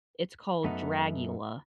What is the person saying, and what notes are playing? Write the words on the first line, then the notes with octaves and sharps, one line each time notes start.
It's called Dragula.
F#2 A3 B3 D#4